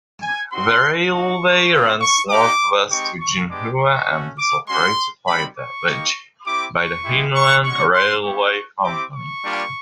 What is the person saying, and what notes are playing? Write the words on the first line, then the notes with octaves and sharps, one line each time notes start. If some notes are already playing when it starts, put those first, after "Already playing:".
The railway runs northwest to Jinhua and is operated by the Jinwen Railway Company.
G#5
C4 D#4 F#4 C6
A#3 D#4 F#4 C#6
C4 F4
C#6
A#3 D#4 G4 D6
G#3 C4 D#4 G4 C#6
C#6
G#3 B3 D4 G4 D6
C#6
A3 C#4 F#4
D6
G#3 C#4 F#4 C6
G3 C4 D#4 B5
C#6
A#3 D#4 G4
C4 E4 G4 D6
C#6
G#3 B3 E4 G4
C#6
G#3 C#4 F#4 C#6
C6
G3 B3 E4 G4 C#6
C4 E4 G4 D6
C#6
G3 A#3 D4 F4